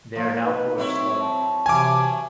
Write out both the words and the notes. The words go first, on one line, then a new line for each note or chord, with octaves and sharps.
They are now forest-dwelling.
F3 A#3
D#4 B4
F#3 C4 E4 C#5
A5
C3 E3 F#3 G#5 D6